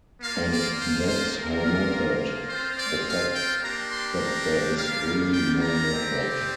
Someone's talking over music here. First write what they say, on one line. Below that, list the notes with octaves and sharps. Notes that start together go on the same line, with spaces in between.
And that's her method - the fact that there is really no method.
A#3 F4 F5
D5
C5
C5
A#3 F4 A#4
C4 F4 C5
D5
F5
G5
A#3 D4 G4 A#5
C6
A#5
G3 A#3 F4 F5
G5
A#5
G3 C4 G4